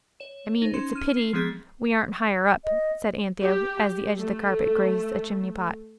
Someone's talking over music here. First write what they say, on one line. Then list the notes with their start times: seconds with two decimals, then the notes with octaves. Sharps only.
I mean it's a PITY we aren't higher up,' said Anthea, as the edge of the carpet grazed a chimney-pot.
0.20 C#5 E7
0.62 D#4 C5
0.74 C#4 C6 E7
0.95 F6 D#7
1.17 C7
1.33 F3 G#3 B3 C4 G#4 A6
2.64 D#5
3.42 G4
4.18 A3